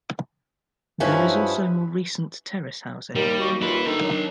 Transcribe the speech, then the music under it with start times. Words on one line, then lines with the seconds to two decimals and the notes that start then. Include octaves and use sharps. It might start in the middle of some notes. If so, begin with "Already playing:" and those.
There is also more recent terrace housing.
1.00 G2 F3 C#4 D#4 E4 B4
3.15 D#2 G3 A#4
3.40 D#2 F#4
3.61 D#2 E4 F4 B4
3.87 D#3 D4 A4 A#5
4.02 F#3